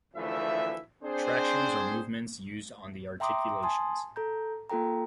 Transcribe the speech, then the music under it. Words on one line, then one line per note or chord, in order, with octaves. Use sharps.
Tractions are movements used on the articulations.
F#1 D2 E3 F3 A3 E5
C4 D4 G#4 C5
E5 G5 A#5 C6 D6 D#6
G#5 A5 C6 D#6
A4 A#5 G6
A#3 F4 A4 G5 A#5